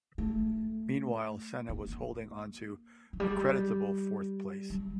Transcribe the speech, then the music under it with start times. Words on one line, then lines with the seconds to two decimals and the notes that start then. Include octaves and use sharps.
Meanwhile, Senna was holding onto a creditable fourth place.
0.18 A3
1.69 A#3
3.13 F3
3.20 G3
4.70 G3